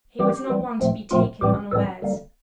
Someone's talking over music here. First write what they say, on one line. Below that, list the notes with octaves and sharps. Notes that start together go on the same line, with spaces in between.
He was not one to be taken unawares.
E3 G3 C4 G4
E3 G3 C4
A#2 F3 A3 C4
A#2 F3 A3 C4 F4
A2 E3 G3 C4 G4
A2 E3 G3 C4 A4
D3 G3 A#3